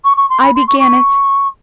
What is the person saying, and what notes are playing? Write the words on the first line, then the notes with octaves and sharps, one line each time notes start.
I began it!
C#6
C#6
C6
B5
C6
C#6
C#6